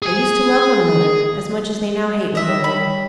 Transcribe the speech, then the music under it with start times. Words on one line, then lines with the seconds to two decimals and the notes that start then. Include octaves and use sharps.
They used to love one another as much as they now hate one another.
0.02 G#4 G#5
2.35 D#5 E5
2.47 G3 C#5
2.64 B5